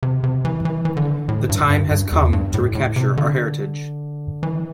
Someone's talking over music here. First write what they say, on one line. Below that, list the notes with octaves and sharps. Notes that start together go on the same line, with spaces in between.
The time has come to recapture our heritage!
C3
C3
E3
E3
E3
D3
A2
G2
G2
G2
E2
G2
A2
A2
C3
D3
E3